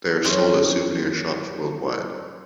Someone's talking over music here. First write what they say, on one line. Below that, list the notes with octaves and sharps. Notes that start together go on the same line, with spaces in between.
They are sold at souvenir shops worldwide.
F#2 C#4 D#4 C5 E5 C6